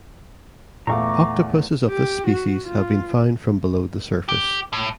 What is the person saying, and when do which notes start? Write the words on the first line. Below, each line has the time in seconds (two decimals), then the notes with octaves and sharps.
Octopuses of this species have been found from below the surface.
0.87 E2 A#2 A3 F5 A#5 C#6 D6
1.90 G4
2.26 F#4
2.66 F4
4.29 G4
4.73 A2